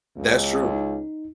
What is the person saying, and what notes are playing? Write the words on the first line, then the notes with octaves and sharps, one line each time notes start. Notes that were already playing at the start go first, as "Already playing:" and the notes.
That's true.
C#2
D#4